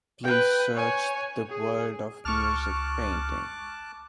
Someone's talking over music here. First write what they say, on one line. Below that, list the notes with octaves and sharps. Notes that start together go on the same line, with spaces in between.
Please search The World of Music painting.
B4 G5
C#5 G#5
G#4
C#2 A5 C#6 D6 F6 F#6